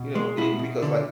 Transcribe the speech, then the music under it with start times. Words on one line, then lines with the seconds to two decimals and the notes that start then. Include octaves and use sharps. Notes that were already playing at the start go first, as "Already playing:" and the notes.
You know? B because, like
Already playing: B2
0.15 G#3
0.37 B2 E4
0.59 B2
0.82 D3